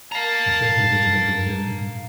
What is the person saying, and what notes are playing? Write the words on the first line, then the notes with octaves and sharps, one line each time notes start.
Especially to get to go to the gym.
F5 A5 A#5